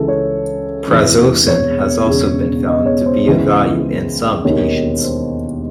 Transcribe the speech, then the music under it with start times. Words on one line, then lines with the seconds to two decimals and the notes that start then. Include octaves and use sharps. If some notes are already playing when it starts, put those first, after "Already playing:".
Prazosin has also been found to be of value in some patients.
Already playing: C#2 C#3 E3 G#4 A4
0.08 C#5
0.88 E1 E2 C3 E3
1.48 C#5
2.06 E1 E2 C#3
2.66 D#5
2.86 C#5
3.06 C5
3.25 C#2 C#3 E3
4.45 E1 D#2 D#3 C#5
5.04 C5